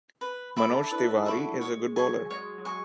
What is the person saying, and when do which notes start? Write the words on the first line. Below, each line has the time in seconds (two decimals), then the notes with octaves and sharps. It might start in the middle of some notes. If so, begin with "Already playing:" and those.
Manoj Tiwari is a good bowler.
0.21 B4
0.56 A4 E5 B5 D6
0.83 D4
0.91 E4 B4
1.26 F#4 E5 B5 D6
1.61 G#3 C#5
1.96 F#3 G#5 C#6
2.30 G#3 C#5
2.58 F#3
2.65 G#3 G#5 C#6